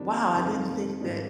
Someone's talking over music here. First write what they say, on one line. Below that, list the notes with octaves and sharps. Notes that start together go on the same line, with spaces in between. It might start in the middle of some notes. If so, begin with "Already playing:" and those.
"Wow, I didn't think that
Already playing: F2 D#3 G3 D4
F1 F2 D#3
G#2 D#3 G3 D4